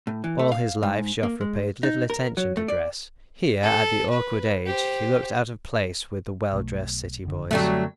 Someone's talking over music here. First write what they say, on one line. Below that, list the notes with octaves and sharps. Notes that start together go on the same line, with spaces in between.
All his life Joffre paid little attention to dress. Here at the awkward age he looked out of place with the well-dressed city boys.
A2
E3
A3
F5
G#2
A#3
G#3
D#4
A#4
F#3
A3
D5
A4
B4
G4 C5
B1 A3
F#1 D3
F#2 D3 F#3 G3 A3 C4